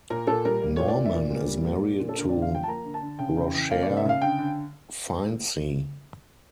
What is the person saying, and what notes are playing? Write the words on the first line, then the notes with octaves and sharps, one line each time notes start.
Norman is married to Roshare Finecey.
A#2 A#4
A#2 A4
G3 A#4
A#3
A#2 C#5
D5
A#2
E5
A#2 D5
A#2
G3
A#3
A#2
A#2
A4
D3 A#4
D3 D5
F5
F3 G5
A5
A#3 A#5
D3
A5
D3
C#3 G5
C#3
E3
A#3 F5
D5
C#3
E5
C#3 F5
D3 G5
D3